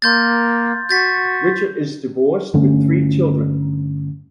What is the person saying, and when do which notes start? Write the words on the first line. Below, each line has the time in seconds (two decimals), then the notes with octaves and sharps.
Richer is divorced with three children.
0.02 A#3 C6 G6 A6
0.89 F#4 G6 A6 B6
2.54 G2 D3 A3 C#4